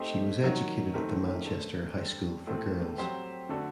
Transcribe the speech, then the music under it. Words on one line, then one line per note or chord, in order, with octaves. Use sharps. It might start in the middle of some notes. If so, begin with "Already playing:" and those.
She was educated at the Manchester High School for Girls.
Already playing: A3 C4 D#4 G4 C5
D#3 F#3 A#3
D#3 A3 C4 G4 A#4
A3 D4 A4 C5
G3 D4 A4 C5
A2 A3 C4
F#3 C4 G4 C5
D3 A3 D4 F#4 A4